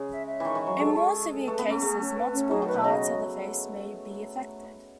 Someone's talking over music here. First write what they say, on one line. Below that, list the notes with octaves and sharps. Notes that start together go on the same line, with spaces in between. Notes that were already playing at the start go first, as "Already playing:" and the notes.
In more severe cases, multiple parts of the face may be affected.
Already playing: C#3 G#3
E5
E5
D#3 E3 C#6
E3
C#6
F#3
G#3 A4
C#6
A4
A4
A3 B4
B3
C#4
A3
A3 G#4
C#4
B4
C#4
F#3 G#4
D#3
B4
B2
C#3 D#5